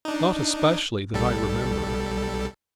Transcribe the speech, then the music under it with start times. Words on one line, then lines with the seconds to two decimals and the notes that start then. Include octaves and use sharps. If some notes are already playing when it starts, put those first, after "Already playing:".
"Not especially, that I remember."
0.05 D4 D#4
1.13 B1 G3 A4